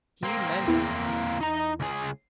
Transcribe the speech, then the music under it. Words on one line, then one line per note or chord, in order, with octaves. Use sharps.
He meant it.
A#3 C4
E2 E4
D#4 A#5
C#2 G#4